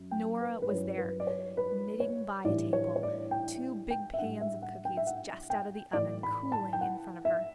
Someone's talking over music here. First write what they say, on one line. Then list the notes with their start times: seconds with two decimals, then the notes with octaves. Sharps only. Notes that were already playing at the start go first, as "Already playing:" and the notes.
Nora was there knitting by a table, two big pans of cookies just out of the oven cooling in front of her.
Already playing: F#2
0.11 G5
0.41 B4
0.62 B4
0.69 G2 F#3 C#4 E4 C#5
0.98 B4
1.20 D5
1.27 C#5
1.57 B4
2.00 C#5
2.45 A2 E3 G3 D4 D5
2.73 C#5
2.96 C#5
3.03 D5
3.31 G5
3.90 G5
4.14 E5
4.18 A2 G3 D4 F#5
4.41 E5
4.62 F#5
4.85 G5
4.97 E5
5.07 F#5
5.50 G5
5.93 A2 E3 A3 E4 D5
6.23 B5
6.52 A5
6.73 G5
6.81 F#5
7.25 E5